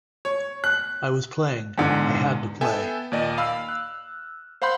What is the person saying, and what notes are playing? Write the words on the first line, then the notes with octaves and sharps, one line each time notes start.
I was playing, I had to play.
C#5
F#6
E2 G#2 D3
B3 A4 E5 G5 G#5
D#2 A#2 D5 D#5
F5 B5 E6 F6
F#6
C5 F5 F#5 B5 C6 G6